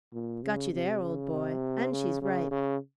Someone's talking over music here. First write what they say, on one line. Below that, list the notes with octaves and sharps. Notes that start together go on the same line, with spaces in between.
'Got you there, old boy, and she's right.
A#2
C#3
C3
C#3
C3
C#3
C#3
C#3